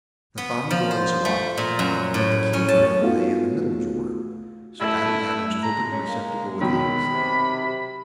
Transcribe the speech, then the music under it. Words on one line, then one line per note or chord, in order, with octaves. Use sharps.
The bottom drawer was locked, but the key for it lay in the middle drawer, so Adam Adams opened the receptacle with ease.
B3
F3
C5
A3
A#2
F#2
A2
C#4
A5
A3 B3 D#4 F4 F#4
A3 E4
G#3 A#5
C#4
A#3
B2 D#3 F#3 B5
C3